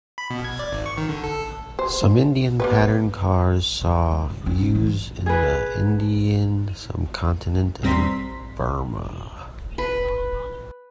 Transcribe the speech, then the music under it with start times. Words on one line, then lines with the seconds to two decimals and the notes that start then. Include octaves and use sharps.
Some Indian Pattern cars saw use in the Indian subcontinent and Burma.
0.18 B5
0.30 B2
0.44 G#6
0.59 D5
0.72 G#1
0.86 C#6
0.98 D#3
1.09 D3
1.24 A4
1.79 C5
2.60 A#3 B3 B4
3.81 D3
4.11 G#3
4.31 C#2
4.46 F3 C#4
4.62 A1 A2
4.75 E3 F3
5.26 G#4 B4
7.83 G2 G3 C4 A#5 C6 B6
9.78 B4